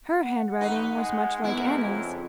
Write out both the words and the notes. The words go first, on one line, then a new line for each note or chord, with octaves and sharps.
Her handwriting was much like Anna's.
F#5
A1 D#4 B4
G#3
F#2 G#3 A3 B3 E4
F2 C#3